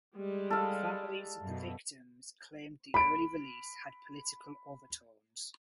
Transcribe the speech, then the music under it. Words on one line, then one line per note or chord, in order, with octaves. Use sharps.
The families of the victims claimed the early release had political overtones.
G3 G#3
A4 F5
F#2 B2
B5 D7